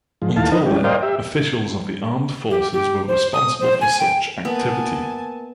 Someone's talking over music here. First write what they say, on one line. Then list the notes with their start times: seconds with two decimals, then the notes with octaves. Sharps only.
Until then, officials of the Armed Forces were responsible for such activity.
0.22 G#2 F3
0.36 D#2 E3 A3 F5 A5
0.52 D#4 A#4 B4 D#5
0.66 E3 G3 C#4 G4
0.84 A#4 C5 D5 D#5 F5 G5
1.03 G4 E5
2.50 G4
2.73 G4
3.08 C5
3.33 D#6
3.60 C5
3.81 G#5
4.00 G5
4.45 A#3 B3 A#4 G#5 A5